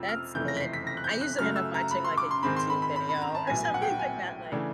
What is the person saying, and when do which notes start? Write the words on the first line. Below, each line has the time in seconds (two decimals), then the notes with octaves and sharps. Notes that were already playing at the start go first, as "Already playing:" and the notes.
that's neat. I usually end up watching, like, a YouTube video or something like that, like
Already playing: F2 C3 F3 E6
0.09 F6
0.35 F#1 F2 C3 E3 A3 G6
0.48 A#6
0.57 B6
0.61 C7
0.73 B6
0.87 A#6
0.97 F#6
1.04 G6
1.21 F#6
1.39 F#2 C#3 F#3 A3 F6
1.56 E6
1.74 A#5
1.91 B5
2.05 C6
2.18 D6
2.31 C6
2.43 G#2 D#3 G#3 C4 B5
2.56 C6
2.70 B5
2.82 B5
2.96 B5
3.09 B5
3.22 A#5
3.35 A5
3.47 A#1 A2 F#3 B3 G#5
3.65 G#5
3.74 F#5
3.82 G5
3.99 G#5
4.52 C#3 E3 A3 D4